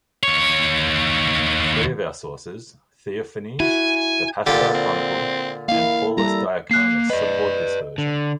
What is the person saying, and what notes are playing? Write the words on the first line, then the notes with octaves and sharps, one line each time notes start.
Three of our sources -- Theophanes, the "Paschal Chronicle", and Paullus Diaconus-support this version.
D#2 C#5
E4 F#4 G#5
A#2 D3 G4
C4
A#3 E4 F5
G3 E4 A4 A#5
A#3 F#6 C7
B4 D5 D#5
D3